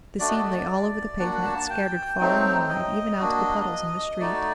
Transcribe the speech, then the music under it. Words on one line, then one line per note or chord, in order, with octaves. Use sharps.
The seed lay all over the pavement, scattered far and wide even out to the puddles in the street.
A3 D4 F#4 D5
D#5
D5
A#3 D4 F#4 F#5
F#5
A5
A5
G5
F#3 A3 C4 D#4
D#5
A#3 D4 F#4
A3 D#4 F#4 D5